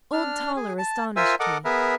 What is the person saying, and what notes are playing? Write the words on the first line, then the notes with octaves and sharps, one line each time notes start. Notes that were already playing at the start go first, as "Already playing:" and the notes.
Old Toller astonished me.
D4 F6
G#4
A5
F4 A#4 C5 E5 G#5 E6
A4 A#4 D#5 F#5 D6
B3 G#4 A#4 B4 E5